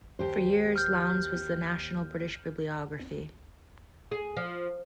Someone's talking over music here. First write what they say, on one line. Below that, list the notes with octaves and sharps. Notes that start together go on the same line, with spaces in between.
For years Lowndes was the national British bibliography.
D#2 G4 C5
F6 G6
G#4
F3